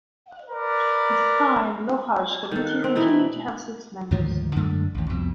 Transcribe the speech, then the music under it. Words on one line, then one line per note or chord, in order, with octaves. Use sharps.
The Skye and Lochalsh committee continued to have six members.
A#4 B4 D5
D#3 A4
C4
B2 E3 D#4 E4
D2 G#2 D#3 F3
F#2 D3 G#3 A3
A1 D#2
C2 F2 B2